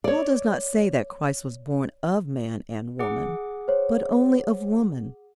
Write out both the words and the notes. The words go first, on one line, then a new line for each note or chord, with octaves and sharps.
Paul does not say that Christ was born of man and woman, but only of woman.
C#5 D5
G#4 F#5 D6
C5 C#5